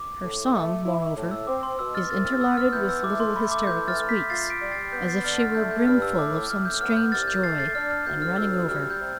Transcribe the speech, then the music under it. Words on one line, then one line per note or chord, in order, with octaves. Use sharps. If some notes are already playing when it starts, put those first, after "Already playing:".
Her song, moreover, is interlarded with little hysterical squeaks, as if she were brim-full of some strange joy, and running over.
Already playing: D6
A2
A3
E4
A2
E6
C4 D6
C6
B2 E6
F6 A6
C2 F6 A6
F6 A6
B3 E6
F6
E3 G6
E6
A3 D6
C6
A3 B5
D6
E3 G6
F6 A6
A3
G6 B6
F4 A6 C7
B6 D7
G3
A6 C7
B3 G6 B6
A6 C7
D3 F6 A6
F6 A6
A3 G6
G6
G2 F6
E6
A2 D6
A2 F6
G6
B3 F6
G6
C2 F6 A6
G6
A3 A6 C7
A6 C7
D4 F6
F6
D2 G6
F6
D2 E6
G3 F6
G6
C3